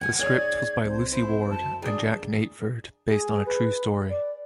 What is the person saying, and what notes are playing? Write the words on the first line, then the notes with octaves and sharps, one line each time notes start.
The script was by Luci Ward and Jack Natteford based on a true story.
F#2 D3 F#5 G#5 G#6
D1 D#4 G#4 C#5 D5 G#6
C2 C4 C5
E4 C5
F#2 D3 A5
D#3 D4 G#4
G#4
B4
D5